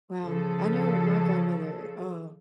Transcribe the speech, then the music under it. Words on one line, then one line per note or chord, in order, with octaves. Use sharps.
Wow, I know my grandmother, uh
C#3 F3 G#4 A4